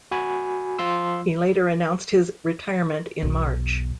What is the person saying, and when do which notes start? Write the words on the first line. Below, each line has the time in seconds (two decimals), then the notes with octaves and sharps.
He later announced his retirement in March.
0.11 F#4 G#5 B5
0.79 F3 F4 C6 E6
3.23 B1 E2